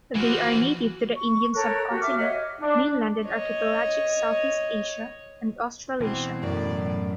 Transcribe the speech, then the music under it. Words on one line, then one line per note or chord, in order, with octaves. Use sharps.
They are native to the Indian subcontinent, mainland and archipelagic Southeast Asia, and Australasia.
E3 F3 F#4
C#6
A4 A#4 C#5 F#6
F#4 G4
E5 D6 F6
C#5 D#5 E5 F#5
D4
C#5 D#5
B2 E3 C4
F#2 A2 D5